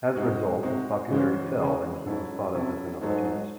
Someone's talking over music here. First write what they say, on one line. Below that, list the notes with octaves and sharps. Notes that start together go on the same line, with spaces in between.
As a result, his popularity fell and he was thought of as an opportunist.
G#2 G#3 C4 D#4 F#4
C3 G#3 C4 D#4 F#4
C#3 E3 G#3 C#4 F#4 C5
C#3 E3 G#3 C#4 F#4 C5
G#2 F#3 C#4 E4 A4
C3 F#3 C#4 E4 A4
G#2 F#3 A3 D#4 A4 C5